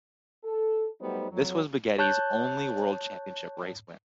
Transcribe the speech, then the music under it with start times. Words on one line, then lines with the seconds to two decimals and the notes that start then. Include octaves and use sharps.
This was Baghetti's only World Championship race win.
0.43 A4
1.00 F#3 G3 A3 B3 D#4 C5
1.31 F2 F#3
1.98 C#5 A5 F#6 G6